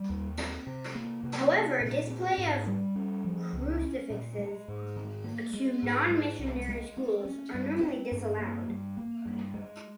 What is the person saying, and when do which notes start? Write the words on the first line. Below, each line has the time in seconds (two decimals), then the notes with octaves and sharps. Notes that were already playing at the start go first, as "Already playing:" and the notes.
However, display of crucifixes to non-missionary schools are normally disallowed.
Already playing: G3
0.09 D#2
0.38 C4
0.67 C3
0.95 A#3
1.23 C3
1.52 C#4
1.81 A#2
2.10 C4
2.38 G#2
2.67 G3
2.95 C#4
3.24 F3
3.53 C#2
3.82 C#4
4.10 A#2
4.38 G#3
4.68 G#2
4.96 D#3
5.24 A#3
5.54 G#3
5.82 G#2
6.10 G#3
6.39 C2
6.68 G#3
6.97 C4
7.25 C#4
7.54 G2
7.83 C4
8.11 G2
8.40 A#3
8.68 G2
8.97 A#3
9.25 G2
9.54 G#3